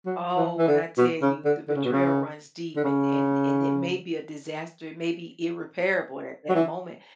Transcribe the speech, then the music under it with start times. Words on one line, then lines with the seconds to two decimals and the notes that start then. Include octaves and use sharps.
Oh, when I tell you the betrayal runs deep and and and it may be a disaster, it may be irreparable at that moment.
0.06 F#3
0.36 E3
0.58 E3
0.68 D3
0.98 B2
1.22 C#3
1.45 D3
1.68 D3
1.75 C#3
1.84 B2
1.92 C#3
2.76 D3
2.84 C#3
6.49 F#3
6.55 E3